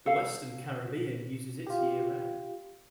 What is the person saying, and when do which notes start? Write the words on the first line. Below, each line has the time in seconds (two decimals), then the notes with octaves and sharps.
The western Caribbean uses it year round.
0.06 A4 F5
1.66 F4 G4